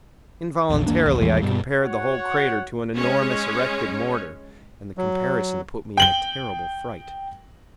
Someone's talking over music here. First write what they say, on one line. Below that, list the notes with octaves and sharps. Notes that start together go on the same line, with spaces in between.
Involuntarily I compared the whole crater to an enormous erected mortar, and the comparison put me in a terrible fright.
A#1 E2
G1 D#2 A#3 D4
A1 D#2
A#1 E2 E3 G#3
G2 B2 G3
F#4 C#5 F#5
G#3 C#4 C#5
F#3
G5 F#7 G7